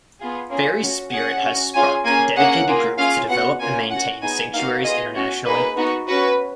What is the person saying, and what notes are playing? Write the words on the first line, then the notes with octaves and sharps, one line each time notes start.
Faerie spirit has sparked dedicated groups to develop and maintain sanctuaries internationally.
B3 F4 G#4
A#3 C#4 F4 G#4
C#4 F#4
C#4 G#4 F#5
C#4 F#4
C#4 F4 G#4 G#5
A#3 C#4 G#4 G#5
A#3 C#4 G#4 F#5
A#3 F4 G#4
C#4 F4 G#4 F5
B3 F#4 F#5
A#3 C#4 F4 G#5
C#4 F#4 F#5
B3 D#4 G#4 G#5
A#3 D#4 F#4 F5
B3 F4 G#4 D#5
C#4 F#4
A#3 D#4 G#4 B4
B3 D#4 F#4
C#4 F#4 B4